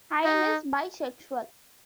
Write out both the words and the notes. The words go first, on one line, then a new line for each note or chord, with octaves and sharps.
Hine is bisexual.
D#4